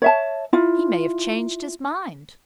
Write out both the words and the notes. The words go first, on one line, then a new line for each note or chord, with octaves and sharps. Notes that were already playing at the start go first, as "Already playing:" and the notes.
"He may have changed his mind."
C#5 E5 A5
E4 F4